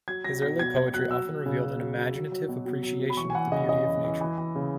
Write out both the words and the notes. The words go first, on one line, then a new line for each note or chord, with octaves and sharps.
His early poetry often revealed an imaginative appreciation of the beauty of nature.
F#3 G#6
F#3 A#6
B2 A#6
B2 G#6
F#3 G#6
F#3 F#6
F#3 E6
F#3
C#3
C#3
F#3
F#3
F#3
F#3
B2
B2
F#3
F#3
B5
E3 C#6
G#5
E3 F#5
C#3 D#5
C#3 D#5
E3
E3
E3
E3
C#3